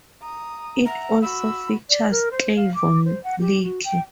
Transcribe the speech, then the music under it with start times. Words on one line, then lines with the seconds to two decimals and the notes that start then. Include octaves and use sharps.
It also features Cleavon Little.
0.21 A#5 D#6
0.86 E5 F#5 A#5
1.22 F#4 B5 E6
1.89 D5
2.10 A#4
2.31 C5
2.56 F5
2.74 D6
3.05 C5
3.23 F#5
3.41 G4
3.63 F#4
3.84 G5